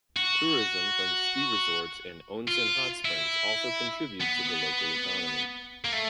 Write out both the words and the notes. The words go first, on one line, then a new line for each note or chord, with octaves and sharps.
Tourism from ski resorts and onsen hot springs also contribute to the local economy.
F#4
F4
E4
B3
A#3
A3